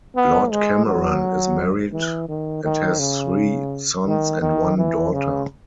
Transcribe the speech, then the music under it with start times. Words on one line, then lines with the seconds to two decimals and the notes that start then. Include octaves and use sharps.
Lord Cameron is married, and has three sons and one daughter.
0.16 B3
0.51 G#3
0.86 F#3
1.93 E3
2.29 D#3
2.64 D#3
2.99 C#3
4.06 D#3
4.41 D#3
4.77 E3
5.12 C#3